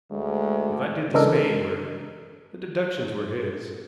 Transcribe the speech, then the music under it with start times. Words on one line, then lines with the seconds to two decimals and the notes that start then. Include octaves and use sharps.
If I did the spade work, the deductions were his.
0.11 D2 G#3
1.14 C#3 E3 G#3 D4 A4 A#4